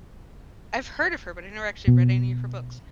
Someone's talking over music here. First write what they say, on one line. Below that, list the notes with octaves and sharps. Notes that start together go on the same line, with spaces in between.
I've heard of her, but I never actually read any of her books,
B2